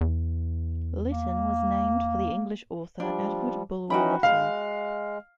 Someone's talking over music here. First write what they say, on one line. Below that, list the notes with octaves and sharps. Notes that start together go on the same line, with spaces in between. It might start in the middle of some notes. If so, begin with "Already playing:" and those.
Lytton was named for the English author Edward Bulwer-Lytton.
E2
A#3
F3 G3 D4
E3 C#4 D#4 F#4 G5 B5
G#3 F5